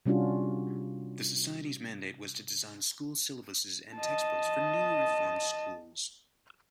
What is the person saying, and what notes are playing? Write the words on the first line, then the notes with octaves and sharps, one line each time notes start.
The Society's mandate was to design school syllabuses and textbooks for newly reformed schools.
C3 G3 C#4 D4 F4 F#4
D#5 A5